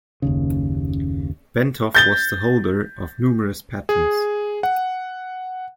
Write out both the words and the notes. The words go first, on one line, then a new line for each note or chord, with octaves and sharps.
Bentov was the holder of numerous patents.
F#1 D#2 C#3
G6 A6 G7
G#4
F#5